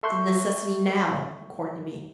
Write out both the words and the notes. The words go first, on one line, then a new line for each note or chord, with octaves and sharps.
It's a necessity now, according to me.
A4 E5 C6 C#6 F#6 G6